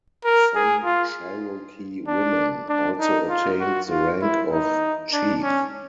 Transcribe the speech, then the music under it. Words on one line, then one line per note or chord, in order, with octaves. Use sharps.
Some Cherokee women also attained the rank of chief.
A#4
G#4
F4
D4
D4
D#4
F4
F#4
F4
E4
D#4
D4
C#4